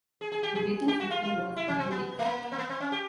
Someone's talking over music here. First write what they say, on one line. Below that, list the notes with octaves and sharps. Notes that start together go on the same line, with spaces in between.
The braking system was Bendix.
G#4
G#4
G4
G#4
G4
F#4
F4
F4
E4
C#4
C4
B3
A3
A#3
C4
B3
C4
C#4
G4